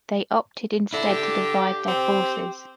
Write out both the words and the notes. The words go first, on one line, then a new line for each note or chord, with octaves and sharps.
They opted instead to divide their forces.
D3 E4
G4
C4